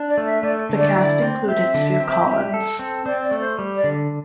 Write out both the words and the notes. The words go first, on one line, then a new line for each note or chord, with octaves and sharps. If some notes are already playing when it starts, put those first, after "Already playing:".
The cast included Sue Collins.
Already playing: D4
D5
A3
E5
A3 D5
D3
D5
E4
C4
C4 E5
D3
C4
G3
A4
C4
C4 D5
D5
A3
C5
G3
D5
D3